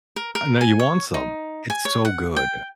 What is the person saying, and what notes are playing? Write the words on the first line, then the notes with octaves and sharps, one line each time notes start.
And now you want some, it's so good,
A#4
A#4
G#5
C#5
D#4
G#5
C#5
F#5
G5